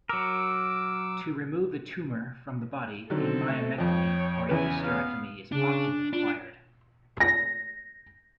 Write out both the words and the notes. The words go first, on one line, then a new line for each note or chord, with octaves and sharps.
To remove the tumor from the body, a myomectomy or hysterectomy is often required.
F#3 A#4 D6 E6
D3 D#3 F#3 C4 A4
A3
F2 F3 C#5 G5
E2 C#3 E4 B4 G#5
B3 F5
C#3 D4
D4 F4
A#6